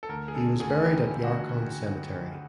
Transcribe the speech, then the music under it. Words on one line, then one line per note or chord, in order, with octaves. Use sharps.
He was buried at Yarkon Cemetery.
A4
D2 A#4
G#4
C#3 A4
D2 G#4
E3 G4
D2
F#4